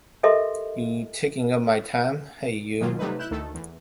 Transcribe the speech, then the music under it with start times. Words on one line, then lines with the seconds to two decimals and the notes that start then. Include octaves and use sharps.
You taking up my time? — Hey, you!
0.23 G4 A4 A#4 D#5 E5 C6
2.80 G#2 B2 D#3 F#3 A#3 F4
2.99 C3 F#3 G3 A3 D#4 B4
3.19 E4 F#6 G6 E7
3.31 D2 D#3 A3 A4
3.54 E2